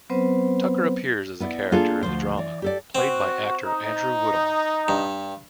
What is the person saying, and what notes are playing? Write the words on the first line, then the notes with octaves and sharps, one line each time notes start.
Tucker appears as a character in the drama, played by actor Andrew Woodall.
F#3 B3 C4 B4 C5
B3 E4 D5
A#3 D4 F4 G#4 A4
D2 F3 C5
E3 D5
G4 A4 D5
C4 F#4
D#4
G2